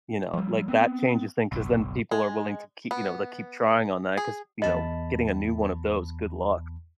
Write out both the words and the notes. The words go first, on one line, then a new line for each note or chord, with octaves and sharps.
You know? Like, that changes things 'cause then people are willing to kee you know, they keep trying on that 'cause, you know, getting a new one of those Good luck,
F3 G3
B3 C4
F#1 B1
G#3
B3
G#4
E2 D#5 A5 B5